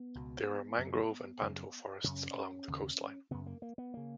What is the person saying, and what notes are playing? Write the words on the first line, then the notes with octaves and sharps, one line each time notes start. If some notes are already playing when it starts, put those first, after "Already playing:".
There are mangrove and banto forests along the coastline.
Already playing: B3
C#2 B2
F#2 C#3
F#2 C#3
F#2 C#3 C#4
D#2 C#3
F#2 C#3 B3
A#3
A#3
B3
C#3 A#3